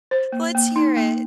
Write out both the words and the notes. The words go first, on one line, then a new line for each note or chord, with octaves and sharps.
Let's hear it.
C5
A#3
A#3
D#4
A#3